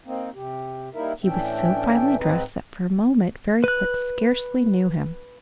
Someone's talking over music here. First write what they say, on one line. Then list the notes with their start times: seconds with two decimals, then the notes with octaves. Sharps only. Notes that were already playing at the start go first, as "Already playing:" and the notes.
He was so finely dressed that, for a moment, Fairyfoot scarcely knew him.
0.06 A#3 C4 D#4
0.34 C3 G4
0.95 G3 A#3 D#4 E4 A#4 E5
1.24 A2 E3 C#4 D4 E5 G5
2.18 G#2 C4 D#4 B4
3.64 B4 F#6